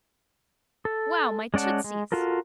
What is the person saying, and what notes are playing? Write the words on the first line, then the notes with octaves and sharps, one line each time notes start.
Wow, my tootsies!
A4
G#3 C#4 D5 F#5 A5
G#3
F4 F#4 A4 A#4